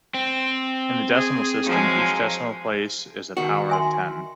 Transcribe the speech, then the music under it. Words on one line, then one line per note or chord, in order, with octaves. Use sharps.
In the decimal system each decimal place is a power of ten.
C4
G#4
F3 F#3 G#3
D#3 F#4
E5 G#5 C6